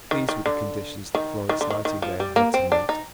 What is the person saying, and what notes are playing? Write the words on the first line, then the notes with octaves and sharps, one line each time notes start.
These were the conditions that Florence Nightingale had to meet.
D#3
D#3
D3
D#3
D#3
D3
D#3
D#3
F3
G3
A#3
C4
D4
D#4